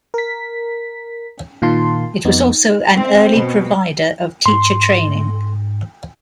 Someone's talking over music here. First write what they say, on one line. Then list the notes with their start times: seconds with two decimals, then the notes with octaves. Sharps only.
It was also an early provider of teacher training.
0.14 A#4 B6
1.62 A#2 D#3 F4 A5 C6
2.25 F2 B3 D#4
2.96 C4
3.36 B2
4.46 G#2 C6